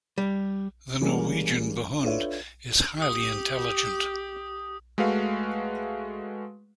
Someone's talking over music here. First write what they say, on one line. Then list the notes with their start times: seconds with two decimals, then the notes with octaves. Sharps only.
The Norwegian Buhund is highly intelligent.
0.18 G3
1.01 E3 G3 G#3 A#3 C#4
2.03 D4 F4 A4 B4 C#5 E5
3.02 G4 D#6
4.98 G#3 A3 F#4 B4 F5